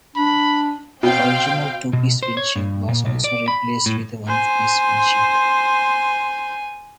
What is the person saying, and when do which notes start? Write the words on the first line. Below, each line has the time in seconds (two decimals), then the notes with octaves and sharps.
The original two-piece windshield was also replaced with a one-piece windshield.
0.16 D4 B5
1.03 B2 C4 F5 G5
1.93 B2
2.23 C5
2.37 C#5
2.56 G2
2.89 A#2
3.05 B1
3.24 D5
3.48 B5
3.86 A2
4.27 C5 G#5